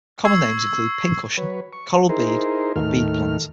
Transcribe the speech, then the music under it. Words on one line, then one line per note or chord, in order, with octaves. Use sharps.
Common names include pincushion, coral bead or bead plant.
C#6 E6 G#6 C7
F#3 B4 C#5
C#6
D#4 E4 G#4 A#4 C5
D#2 A2 D#3 A3 F6